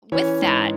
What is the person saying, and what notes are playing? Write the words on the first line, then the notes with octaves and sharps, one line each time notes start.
with that,
E3 C#4 C#5
G#2